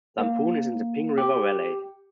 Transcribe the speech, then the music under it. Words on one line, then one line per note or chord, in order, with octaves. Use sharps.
Lamphun is in the Ping River valley.
A#3
G4